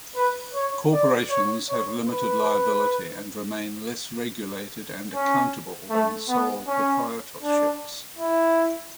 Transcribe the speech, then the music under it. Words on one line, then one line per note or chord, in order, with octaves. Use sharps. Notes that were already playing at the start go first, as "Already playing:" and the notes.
Corporations have limited liability and remain less regulated and accountable than sole proprietorships.
B4
C#5
D5
C#5
C#5
B4
C#4
A3
B3
C#4
D4
E4